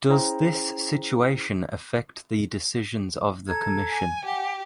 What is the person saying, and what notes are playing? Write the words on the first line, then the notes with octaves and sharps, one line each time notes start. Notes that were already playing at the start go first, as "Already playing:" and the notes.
Does this situation affect the decisions of the commission?
C#4 E4 G#4 C5 G5 A#5
A4 A#5 G#6
G#5
G4 F#5 G#5